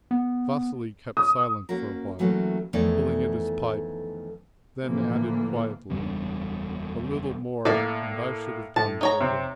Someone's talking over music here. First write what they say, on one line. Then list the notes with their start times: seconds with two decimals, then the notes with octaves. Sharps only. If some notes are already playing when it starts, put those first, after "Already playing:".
Vasily kept silent for a while, pulling at his pipe, then added quietly: "A little more and I should have done for him."
0.11 B3
1.17 D#6
1.69 A#3 C#4 F#4 A#4
2.19 E3 F#3 A3 A#3 C#4
2.73 F2 D#3 E3 A3 B3 D5
4.84 A2 D3 E3 F3 A#3
5.90 F#1 E2 G3 D4
7.65 A2 A#3 D5 E5
8.76 A2 A5
9.01 D#4 C#5 A#5
9.20 C3 C4